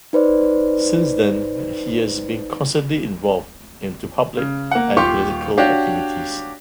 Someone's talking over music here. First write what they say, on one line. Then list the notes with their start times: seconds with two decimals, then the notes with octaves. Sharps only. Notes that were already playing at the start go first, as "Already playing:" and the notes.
Since then, he has been constantly involved into public and political activities.
0.13 D#4 B4 C5 D5
4.37 C#3
4.71 A#3 F#5
4.97 D#1 F4 G4 F5 C6 C#6
5.57 D4 F#4 G4 C#5 F5